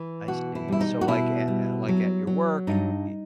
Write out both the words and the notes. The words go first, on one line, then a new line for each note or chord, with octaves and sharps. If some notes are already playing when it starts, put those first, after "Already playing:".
I see, so, like, a at like, at your work, i
Already playing: E3
B2 F#4
E4
G3 E4
D#4
F#4
B2 E4
G3
F#3
F#3
G2 D#4